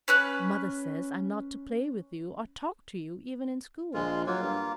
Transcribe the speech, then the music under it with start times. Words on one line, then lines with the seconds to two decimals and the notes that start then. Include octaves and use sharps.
Mother says I'm not to play with you or talk to you even in school.
0.08 C#4 B4 F#6
3.94 A#1 G#3 F4
4.27 F#3 A#3 F4
4.42 G2